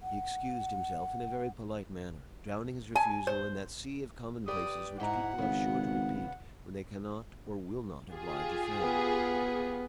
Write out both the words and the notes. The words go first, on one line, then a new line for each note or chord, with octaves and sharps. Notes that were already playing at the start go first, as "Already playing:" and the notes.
He excused himself in a very polite manner, drowning his refusal in that sea of commonplaces which people are sure to repeat when they cannot or will not oblige a friend.
F#5
G#5
C5
G4 B4 D5 D#6
G#2 E4 F#5 A#5
G#1 C#3 B3
F4 G4 G#4
B3